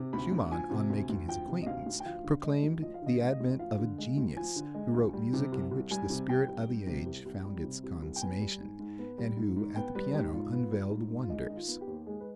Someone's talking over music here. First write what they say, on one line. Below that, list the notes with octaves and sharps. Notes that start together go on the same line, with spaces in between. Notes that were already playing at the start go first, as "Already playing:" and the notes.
Schumann, on making his acquaintance, proclaimed the advent of a genius who wrote music in which the spirit of the age found its consummation, and who, at the piano, unveiled wonders.
Already playing: C3
D2 B5
D2
F3 G#5
C3
D2
D2
F3 G5
C3
D#5
D2 F5
D2
G5
F3 F5
D3
G#3 D#5
D2
F3 D#5
F5
D3 D#5
G#3 F5
D#5
D2
F3 F5
D3
G#3
D2
F3 G#5
D3
G#3
D2
G3
C3
C2
C2
G3 G#5
C3
C2 G5
C2
G3
C3
C2
C2
G3
C3
C2
C2
G5
B3 G#5
G3
G#2
G#2
B3
G3
G#2
G#2
B3 G5
G3 B4
G#2 G4
G#2 F4
B3
G3
G#2
G#2
F4
G#3 D#4
D#3 D#4
F4
B3
G4
D#2
G#3 G#4
B4